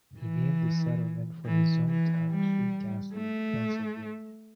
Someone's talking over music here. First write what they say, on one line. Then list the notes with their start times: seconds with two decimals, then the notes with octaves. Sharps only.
He named the settlement for his hometown of Greencastle, Pennsylvania.
0.19 E3
1.45 E3
1.88 E3
2.30 G3
3.15 A3